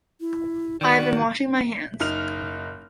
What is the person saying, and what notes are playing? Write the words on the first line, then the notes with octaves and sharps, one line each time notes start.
I have been washing my hands.
E4
D#3 F#4 D5
F#1 D#4 F6 F7